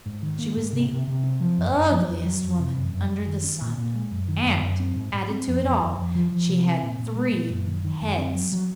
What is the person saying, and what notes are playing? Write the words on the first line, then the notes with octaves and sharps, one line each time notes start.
She was the ugliest woman under the sun, and, added to it all, she had three heads.
G#2
D#3
A#3
G#2
C3
C3
C3
C4
F3
F#2
F#2
F3
F2
F#3
F2
C3
F#2
F#2
F#2
D#3
C#4
A#2
A#2
G#3
F#2
D#3
F#2
F#2
C4
G#2
G#2
C4
F2
F2
F2
F2
F3
F3
C3
C4
A#2
A#2
G#3
A#2
F#2
D#3
D#3
F#2
C4
F#3
F#3